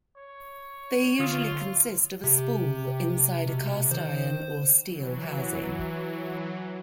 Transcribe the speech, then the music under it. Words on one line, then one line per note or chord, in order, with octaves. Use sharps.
They usually consist of a spool inside a cast iron or steel housing.
C#5
D3 F4 D#6 E6
C3 G4
B2
D#3 C5
E3 F#3